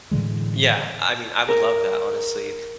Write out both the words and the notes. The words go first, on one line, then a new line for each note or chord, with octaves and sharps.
Yeah. I mean, I would love that, honestly.
A2 D3 E3 G#3
A#4